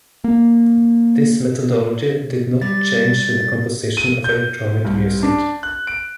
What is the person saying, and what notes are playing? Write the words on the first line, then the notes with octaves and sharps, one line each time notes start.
This methodology did not change with the composition of electronic music.
A#3
G3 A6
D#7
G6
C2
D4
F#6
D7